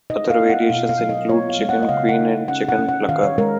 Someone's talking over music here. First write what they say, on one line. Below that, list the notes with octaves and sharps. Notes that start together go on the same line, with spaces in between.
Other variations include chicken queen and chicken plucker.
D#4 D#5
F5
B3
F#5
B2 F5
F5
F#3
D#5
B3 C#5
F5
G#3
F#5
D#5
C#3 F5
F#5
D#4
C#4 F#5
F#5
C#4
F#5
D#3 F5
C#5
G#3 A#4